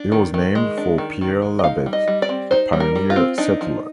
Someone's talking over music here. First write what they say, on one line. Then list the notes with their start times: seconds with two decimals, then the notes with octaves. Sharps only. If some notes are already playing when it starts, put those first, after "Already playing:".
It was named for Pierre Labette, a pioneer settler.
Already playing: D4
0.12 D#3
0.34 D#3
0.55 G#3
0.78 D4
0.98 D#3
1.21 D#3
1.42 G#3
1.59 D#5
1.64 D#4 F5
1.86 G3
1.93 D#5
2.08 G3
2.22 D5
2.29 C4
2.51 D#4 C5
2.73 G3
2.80 A#4
2.95 G3
3.10 F4
3.16 C4
3.38 D4 D#4
3.61 F3